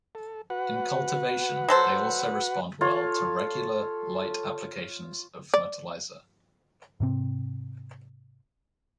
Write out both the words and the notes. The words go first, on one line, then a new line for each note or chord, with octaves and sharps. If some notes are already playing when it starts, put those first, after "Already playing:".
In cultivation, they also respond well to regular, light applications of fertilizer.
A4
F#4 B4 F#5
F#3 A4 C5
F4 A4 C#5
D5
G#2 C3 C4